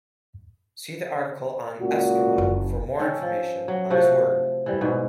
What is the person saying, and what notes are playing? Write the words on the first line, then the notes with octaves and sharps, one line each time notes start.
See the article on "Eskimo" for more information on this word.
C#2 A#2 F#4
F#1
D#3 C#4 A4
F3
F#3
C3 F3 A3 F#4
E3 G3
G#2 B2